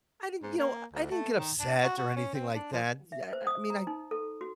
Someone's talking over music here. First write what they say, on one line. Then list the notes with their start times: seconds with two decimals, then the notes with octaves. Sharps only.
I didn't, you know, I didn't get upset or anything like that. Yeah, eh, I mean, I
0.43 G#2
0.58 A#3
0.93 D2
1.11 A3
1.37 D#3
1.60 D4
1.83 F#4
1.98 F#4
2.16 C#4
2.34 C4
2.55 D4
2.72 F3
3.12 E5
3.33 C5
3.47 D#6
3.70 A#5
3.87 D#4
4.11 A4
4.41 F#4